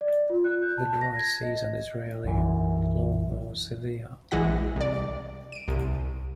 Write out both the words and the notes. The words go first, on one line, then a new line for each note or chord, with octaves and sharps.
The dry season is rarely long or severe.
D5
F4
F#6
G6
A5
A#6
G#6
D#5
B1 F#2 E3
A#1 E3 G#3 E4 F#5 A#6
C2 D5
D7 D#7
C2